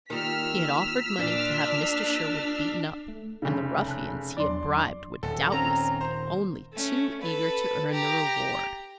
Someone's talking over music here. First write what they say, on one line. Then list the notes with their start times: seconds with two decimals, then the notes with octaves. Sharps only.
He had offered money to have Mr. Sherwood beaten up, and the ruffians he had bribed would doubtless be only too eager to earn the reward.
0.10 D#3 G3 A#3 F4 E6 F6 B6
1.19 A#2 D4
3.08 A3
3.42 F1 C#3
3.88 A5 F#6
4.37 E2 F#3 D4 D5 C6
5.23 D#1 A4
5.52 C4 C#4 A#5
6.01 C5
6.74 A3 C#4
7.22 A4 B4
7.92 G4 A#5